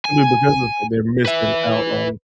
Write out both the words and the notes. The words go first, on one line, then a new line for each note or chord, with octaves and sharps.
simply because of the fact they're missing out on,
G#5
B4 E5